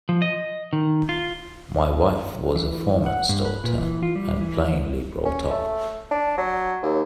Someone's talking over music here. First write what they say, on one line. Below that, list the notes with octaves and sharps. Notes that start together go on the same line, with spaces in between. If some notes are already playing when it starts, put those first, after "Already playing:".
My wife was a foreman's daughter, and plainly brought up.
F3
D#5
D#3
F4
E3
F#5
G2
B4
A#2
E3
F4
G3
E3
C#4
A3
D4
F#3
D#2